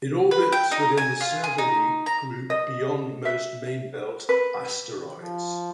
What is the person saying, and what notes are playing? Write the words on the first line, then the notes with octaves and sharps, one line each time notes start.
It orbits within the Cybele Group, beyond most main-belt asteroids.
B4
G5
D#4
G#5
F4
G#4
D#4
A#5
D#5
E5
B4
F3